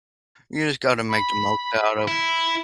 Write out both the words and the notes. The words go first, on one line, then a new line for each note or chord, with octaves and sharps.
you just gotta make the most out of
B5
E4